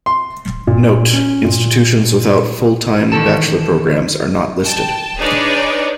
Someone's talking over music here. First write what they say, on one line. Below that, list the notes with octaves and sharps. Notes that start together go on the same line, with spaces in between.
Note: Institutions without full-time bachelor programs are not listed.
C6
A#2
C#4
A#2
D#3 E3 A4 A5
G5 A5
D4 D#4 G#4 B4 C#5 D5